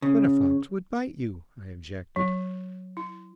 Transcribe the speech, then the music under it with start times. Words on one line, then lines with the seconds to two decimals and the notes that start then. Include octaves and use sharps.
"But a fox would bite you," I objected.
0.02 C#3
2.16 F#3
2.97 E4